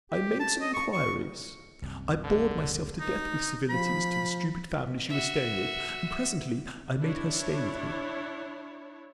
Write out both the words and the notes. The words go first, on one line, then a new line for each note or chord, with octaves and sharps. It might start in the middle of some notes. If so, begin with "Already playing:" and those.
I made some inquiries--I bored myself to death with civilities to the stupid family she was staying with, and presently I made her stay with me.
G4
A5
D#5
C#6
C#6
C2 F#2
D3
G1 D#2
D#4
F3 B5
F#4 E5
D4 E4 C#5